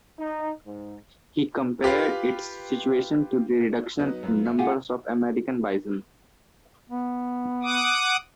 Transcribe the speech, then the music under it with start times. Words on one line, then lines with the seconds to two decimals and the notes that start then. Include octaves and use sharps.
He compared its situation to the reduction in numbers of American bison.
0.18 D#4
0.66 G#2
1.82 F4 G4 B4 F5
3.99 F#3 B3 D#4
4.23 F#2 B3 F4
4.45 A3
4.59 F4 G4 G#4 F#5
6.90 B3
7.63 F#5 D6 D#6